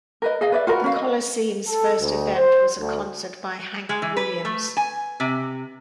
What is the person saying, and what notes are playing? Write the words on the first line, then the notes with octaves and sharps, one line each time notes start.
The coliseum's first event was a concert by Hank Williams.
A#4 B4 D#5
G#4 D#5 F5
B4 D5 E5
F4 F#4 A#4 B4
C#4 B4 F5
D#5
A4
D2
C5
D2
G#3
E3
B4
A3
G#5
C3